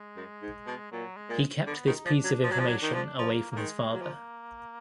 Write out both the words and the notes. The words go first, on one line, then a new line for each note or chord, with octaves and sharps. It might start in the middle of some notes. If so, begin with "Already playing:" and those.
He kept this piece of information away from his father.
Already playing: G#3
F#2
G#2
B2
A#2 F#3
G#3
A#2
D3 B3
D#3
D#4
F3 D4
F#3
F3
F#3
F3
F#3
D#3
F3
F3 A#3
A#3
D#3 G#3
F#3 A#3
F3